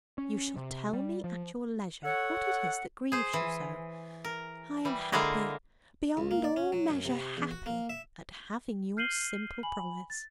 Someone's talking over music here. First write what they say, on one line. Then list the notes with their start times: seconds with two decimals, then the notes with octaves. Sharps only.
"You shall tell me at your leisure what it is that grieves you so; I am happy--beyond all measure happy!--at having your simple promise."
0.18 C#4
0.56 C3
0.93 G3
1.24 F3
2.04 A4 C#5 F#5
3.12 G#4 C5
3.33 E3
4.24 A#4
4.85 E3 G3
5.12 D3 G#3 A#3 E4 F4 A#5
6.17 C#2
6.31 A#3
6.44 D5
6.56 C#4
6.72 F#3
6.88 F#2
7.05 C3
7.37 E2
7.51 F#4
7.66 A#3
7.90 E5
8.97 F6 G6 C7 D#7 F#7 G7
9.63 G#5 B5 F#7
10.10 A6